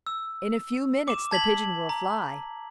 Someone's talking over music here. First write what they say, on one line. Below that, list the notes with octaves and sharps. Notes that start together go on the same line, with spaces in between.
In a few minutes the pigeon will fly.
E6
D6 E7
A5 G#6 B6 F#7
A#5